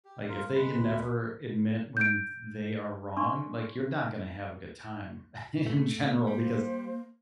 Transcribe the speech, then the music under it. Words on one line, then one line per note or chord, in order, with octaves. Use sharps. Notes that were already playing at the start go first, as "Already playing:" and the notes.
like, if they can never admit when th they are wrong, like, you're not gonna have a good time in general because
G4
G2 F4 A#4
G#3 B4 B5
D2 B2
G6 D7
D4 C6 C#6
A3
G3 A#3 C5